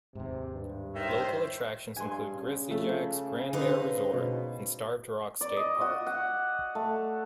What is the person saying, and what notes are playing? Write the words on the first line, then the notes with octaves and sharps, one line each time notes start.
Local attractions include Grizzly Jack's Grand Bear Resort and Starved Rock State Park.
D#2 G#2 C3
G2
D#3 C5 C#5 E5
G2 G#5 C6
C#3
F3 A3
D3 D#4 B4 C5
B2
D5
D#5
F#4
F#5
A3